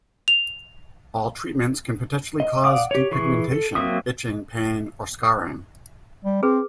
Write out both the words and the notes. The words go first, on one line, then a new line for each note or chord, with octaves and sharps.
All treatments can potentially cause depigmentation, itching, pain, or scarring.
F7
D#5
D5 F5 F#5 D6 D#6
G4 C#5
E3 G#4 C#6
A4
F#3 A#3 C4 E5 D#6
G3
C4 G#4 B4